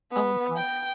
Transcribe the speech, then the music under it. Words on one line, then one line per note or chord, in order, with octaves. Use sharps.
Oh god.
B3
G5